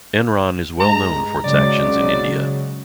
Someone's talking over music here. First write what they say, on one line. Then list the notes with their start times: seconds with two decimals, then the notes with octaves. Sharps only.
Enron is well known for its actions in India.
0.80 G2 G#3 A#5
1.44 C#3 F#3 G#3 D5